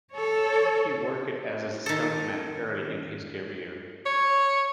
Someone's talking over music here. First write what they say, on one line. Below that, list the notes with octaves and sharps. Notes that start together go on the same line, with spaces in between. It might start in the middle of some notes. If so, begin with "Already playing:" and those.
He worked as a stuntman early in his career.
A4 C#5
D#3 A4
C#5